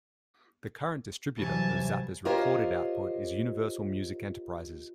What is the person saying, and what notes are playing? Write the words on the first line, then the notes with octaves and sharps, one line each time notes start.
The current distributor of Zappa's recorded output is Universal Music Enterprises.
C2 E3 F#3 G#5 A5
F4 G4 A#4 C5 C#5 D#5